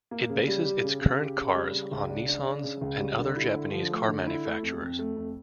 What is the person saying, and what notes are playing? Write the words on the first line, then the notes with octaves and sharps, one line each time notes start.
It bases its current cars on Nissans and other Japanese car manufacturers.
A#3
C#3
G3
G4
C#3
C#3
G4
C#3
G3
C#3
C#2
D4
D4
C#3
C#3
C#2
G3
D3
E4
D3
F3
A3
D3
E4
A3
F2
F2
A3
F2